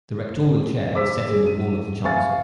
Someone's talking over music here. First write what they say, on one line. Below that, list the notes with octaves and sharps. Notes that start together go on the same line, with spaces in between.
The rectorial chair is set in the wall of the chancel.
C5 D6 E6 B6
G#4
D#7
E5 F5 G#5 C#6 A6